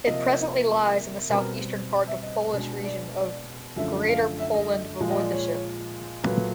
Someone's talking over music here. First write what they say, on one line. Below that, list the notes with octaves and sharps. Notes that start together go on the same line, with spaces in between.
It presently lies in the south-eastern part of Polish region of Greater Poland Voivodeship.
C3 F3 A#3 D#5
B2 G3 C4 A#4
D5
E5
D#5
B2 G#3 B3 D4
D5
D5
F#2 D3 F3 A3 E5
F5
E5
D#5
A#2 F3 G#3
D#5
D5
C#5
A#2 F#3 A3 B4